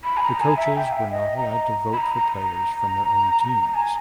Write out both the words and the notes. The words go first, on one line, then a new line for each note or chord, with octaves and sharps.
The coaches were not allowed to vote for players from their own teams.
B5
G#5
A#5
G#5
E5
G5
E5
D#5
A#5
B5
A#5
A#5
A#5
G#5